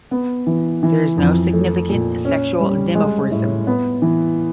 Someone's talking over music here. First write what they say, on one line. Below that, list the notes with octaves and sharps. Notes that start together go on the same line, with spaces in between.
There is no significant sexual dimorphism.
B3
E3
E3
F2
A3
A#2
C#4
G3
G#3
A2
B3
E3